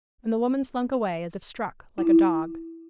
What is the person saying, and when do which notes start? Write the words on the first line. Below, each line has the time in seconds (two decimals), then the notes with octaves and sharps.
And the woman slunk away as if struck, like a dog.
1.98 E4